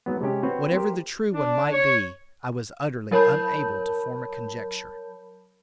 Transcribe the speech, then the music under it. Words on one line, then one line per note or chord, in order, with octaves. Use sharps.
Whatever the true one might be, I was utterly unable to form a conjecture.
G#2 F#3 B3
C3 G#3 C#4 G4
C4 F#4 B4 C#5
G4 A#4 C5
D4
C#5
F#3 A#4 C#5 A5 B5 G6